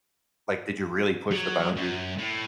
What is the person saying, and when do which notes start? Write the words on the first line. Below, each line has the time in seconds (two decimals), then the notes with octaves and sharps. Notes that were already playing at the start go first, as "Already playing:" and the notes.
Like, did you really push the boundary?
1.31 F#3
1.76 F#2
2.18 A2